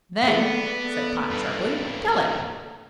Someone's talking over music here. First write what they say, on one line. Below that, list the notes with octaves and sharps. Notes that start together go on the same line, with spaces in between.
"Then," said Tot, sharply, "tell it!"
B3 G#4 A4 B4 D5 E5
G2 A#3